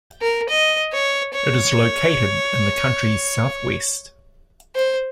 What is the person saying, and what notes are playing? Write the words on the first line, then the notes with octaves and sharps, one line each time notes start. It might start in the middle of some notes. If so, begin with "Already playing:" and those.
It is located in the country's southwest.
A#4
D#5
C#5
C#5
C5